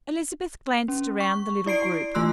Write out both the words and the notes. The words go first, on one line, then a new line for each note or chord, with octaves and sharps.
Elizabeth glanced around the little group.
C#4
C#6
E4 D5 C7 D7
E3 A3 F4 C6 E6 F#6